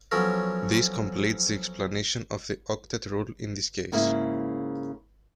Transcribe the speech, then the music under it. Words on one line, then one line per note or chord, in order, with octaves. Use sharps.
This completes the explanation of the octet rule in this case.
F3 F#3 B3 C#4 A4 A#4
G#2 C#3 A#3 E4